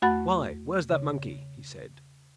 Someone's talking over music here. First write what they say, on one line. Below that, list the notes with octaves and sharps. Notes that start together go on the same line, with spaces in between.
"Why, where's that monkey?" he said.
E2 A3 F#4 F#5 B5 A6
C#3